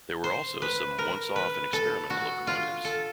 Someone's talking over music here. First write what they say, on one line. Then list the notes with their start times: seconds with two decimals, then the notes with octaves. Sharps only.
There were also some once-off and experimental locomotives.
0.24 C5
0.62 B4
0.98 A#4
1.36 B4
1.73 A4
2.10 F#4
2.47 F4
2.85 A4